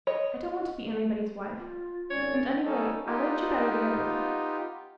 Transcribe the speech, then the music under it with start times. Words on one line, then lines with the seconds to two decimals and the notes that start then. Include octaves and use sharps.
"I don't want to be anybody's wife--and, anyway--I liked you better the other way."
0.07 C#5 D#5
1.57 F4
2.10 G#1 C#4 C#5 D5
2.65 G3 A#3 C#4 D#4 A4
3.06 B3 D#4 F4 G4